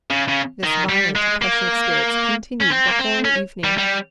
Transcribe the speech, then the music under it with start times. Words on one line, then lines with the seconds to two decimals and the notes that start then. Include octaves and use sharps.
This violent oppression of spirits continued the whole evening.
0.11 C#3
0.29 C#3
0.64 D#3
0.89 G3
1.16 G#3
1.42 A#3
2.62 C#4
2.72 C4
2.88 A#3
2.99 C4
3.25 C#4
3.64 G3
3.78 G3